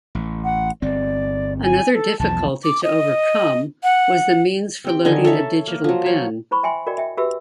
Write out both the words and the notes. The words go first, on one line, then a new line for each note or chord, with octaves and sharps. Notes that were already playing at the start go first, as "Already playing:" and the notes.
Another difficulty to overcome was the means for loading a digital bin.
A1
F#5
G1 C4 D5
G#5
A4
B1 E2 F3 A5
D6
D#5
F#5
C4 G4 G5
D3 D#3 D#5 G#5
A4 C#5 E5 A5
A#3
F3 F#3
C#5
E4 C5 B5 C#6
E5 G5 G#5 C6
F#4 A#4 D5 D#5 G5
E5 G5
F#4 G4 B4 E5 E6